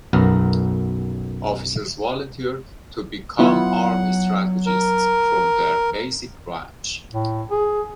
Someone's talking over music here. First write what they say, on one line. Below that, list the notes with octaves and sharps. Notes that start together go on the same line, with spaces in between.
Officers volunteer to become Army Strategists from their basic branch.
B1 F#2 B3 A#4 A#5
F#3 B3 E4 F4 F#5
A#4
A2
G#4